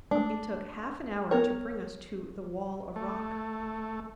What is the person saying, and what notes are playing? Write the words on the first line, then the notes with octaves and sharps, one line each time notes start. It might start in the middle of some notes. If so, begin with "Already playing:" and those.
It took half an hour to bring us to the wall of rock.
G#3 A3 D4
B3 A#4 C#5 G5
A3